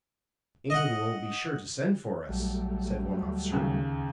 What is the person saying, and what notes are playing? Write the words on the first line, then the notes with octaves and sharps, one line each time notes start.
"England will be sure to send for us," said one officer.
D#5 F#5
A#1 F#3 G3 A3
D2
D#2 C#3